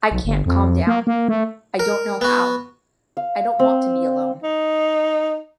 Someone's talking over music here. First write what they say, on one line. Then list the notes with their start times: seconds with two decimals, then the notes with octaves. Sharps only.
I can't calm down. I don't know how. I don't want to be alone.
0.11 B1
0.25 G1
0.46 F2
0.87 A#3
1.07 A#3
1.29 A3
1.79 A#4
2.21 B3 F#4
3.17 F5
3.59 C4
4.43 D#4